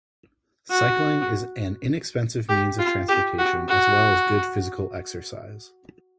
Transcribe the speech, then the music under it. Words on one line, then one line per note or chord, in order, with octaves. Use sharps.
Cycling is an inexpensive means of transportation as well as good physical exercise.
F#4
G4
F4
G4
F#4
F#4